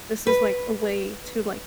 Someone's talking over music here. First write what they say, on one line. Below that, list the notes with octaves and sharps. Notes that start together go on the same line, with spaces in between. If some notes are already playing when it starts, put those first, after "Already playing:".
this is, like, a way to, like,
B4